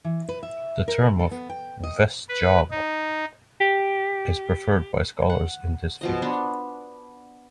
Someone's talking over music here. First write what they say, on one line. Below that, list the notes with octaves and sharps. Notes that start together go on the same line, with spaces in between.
The term of "West Java" is preferred by scholars in this field.
E3
B4
E5
A#4
A4
B3
G5
D#5
B4
D#4
G4
F#5
B2 F3 D#5
B3 D4 C6